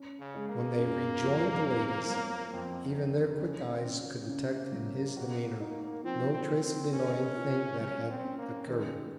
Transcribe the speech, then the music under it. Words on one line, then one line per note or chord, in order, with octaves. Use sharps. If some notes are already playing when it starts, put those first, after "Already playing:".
When they rejoined the ladies, even their quick eyes could detect in his demeanour no trace of the annoying thing that had occurred.
Already playing: C#4
C#3
G#3
A#3
F#2
F3
C4
F#3
F2 C4
D#3
C#3 C#4
C4
C#4
A#3
C#3
F#3
F#4
D#4
F3 C4
C4
A#3
C4
C#4 A#4
F4
F#3 C#4
C4
C#4
A#3
D#3 G#3